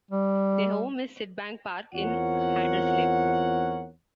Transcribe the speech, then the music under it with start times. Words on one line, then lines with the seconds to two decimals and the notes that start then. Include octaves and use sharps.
Their home is Sydbank Park in Haderslev.
0.11 G3
1.94 E2 C4 F4 A#4 C#5 F#5